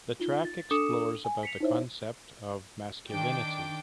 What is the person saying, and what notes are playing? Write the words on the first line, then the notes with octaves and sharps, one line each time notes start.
The track explores about the concept of masculinity.
D#4 F4 G7
A6
D4 A4 D6 D#6 C#7 E7
G#5
B6 C#7 F7
D#4 E4 C5 C#5 E5
D#3 D4 G5 D6 G6